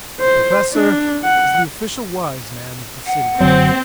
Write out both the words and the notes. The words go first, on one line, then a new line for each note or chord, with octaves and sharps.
The Professor is the official wise man of the city.
C5
D4
F#5
F#5
F#1 D3 F#3 C4